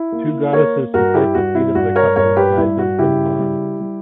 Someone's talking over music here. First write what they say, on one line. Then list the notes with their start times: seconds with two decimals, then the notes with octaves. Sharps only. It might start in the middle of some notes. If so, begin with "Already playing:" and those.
Two goddesses support the feet of the couple and guide them from harm.
Already playing: E4
0.12 A#3
0.53 A#3 A#4 C#5
0.94 G2 F#4 A#4
1.14 E4 G4
1.34 G2 F#4
1.55 E4
1.75 G2 F#4
1.96 A#4 C#5
2.16 G2 A#4 C#5
2.37 G4 B4
2.57 G2 E4
2.78 F#4
2.98 C#3 E4 G4
3.39 G3
3.80 G3